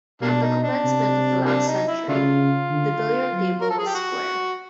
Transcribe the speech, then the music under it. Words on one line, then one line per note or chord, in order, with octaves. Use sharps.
At the commencement of the last century, the billiard-table was square.
B2 G3 A#3 D4
D#4
D4
C3
G3 A#3 D4
D#4
E4
C#3 A3 D4 F4
D3
F#3
A#4
A4
G#4
G4
F#4